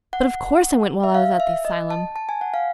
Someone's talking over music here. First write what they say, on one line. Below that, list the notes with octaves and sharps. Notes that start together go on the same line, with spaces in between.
But of course I went while I was at the asylum.
F#5
E5
F5
E5
D#5
A5
A5
G#5
F#5
F5